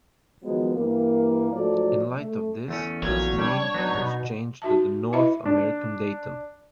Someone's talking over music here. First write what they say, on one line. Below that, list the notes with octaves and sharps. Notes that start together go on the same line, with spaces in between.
In light of this, its name was changed to the "North American Datum".
D#3 F3 F#3 G#3 B3
G2 E3 G3 A#3
G#2 F3 F#3 A3 A4 D5
A3
E2 A3 C#4
A#1 F#3 C#5
G3 D4
F#3 B3 D#4
B2
D#4 F#4 E5 A5
E4 B4 D#5 E5 B5
D4